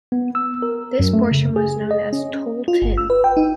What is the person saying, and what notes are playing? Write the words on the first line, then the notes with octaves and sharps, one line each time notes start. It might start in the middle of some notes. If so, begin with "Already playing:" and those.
This portion was known as toll tin.
B3
E6
A#4
F#2
A3
C#3
G#4
D#5
C#4
F4
G1
E6
B4
G5
D#4